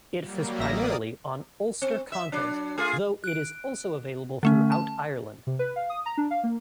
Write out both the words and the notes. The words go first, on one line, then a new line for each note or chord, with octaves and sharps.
It focuses primarily on Ulster content, though it is also available throughout Ireland.
F#3 G3 A#3
A1 A#3 D5 E5 D#6 A#6
C4
E5
F#3 D4
A3 F4 G#4
F#6 D7
D3 A3 C#4
A5
C3
B4
F5
D#6
A#5
D4
F5
A#3